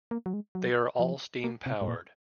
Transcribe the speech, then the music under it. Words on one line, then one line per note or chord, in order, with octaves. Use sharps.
They are all steam powered.
A#3
F#3
G#3
F#3
F3
A#3
C3
G#2
A#2